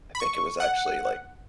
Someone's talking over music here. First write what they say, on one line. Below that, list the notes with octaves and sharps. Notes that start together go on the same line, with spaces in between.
I think it was actually, like
B5
C#6
F#5